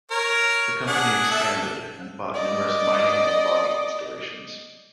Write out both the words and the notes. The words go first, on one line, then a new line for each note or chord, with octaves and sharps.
The company expanded, and bought numerous mining and logging installations.
A#4 C#5
D4 G#4 F#5
A4 E5
D5 D#5